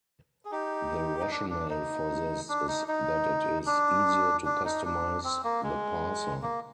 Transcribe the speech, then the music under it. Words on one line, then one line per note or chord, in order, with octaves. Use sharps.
The rationale for this is that it is easier to customize the parser.
G#4
D#4 G4
D#4
D4
D4
D#4
D4
D#4
D#4
D4
D4
D#4
D4
C4
A#3
G#3
A#3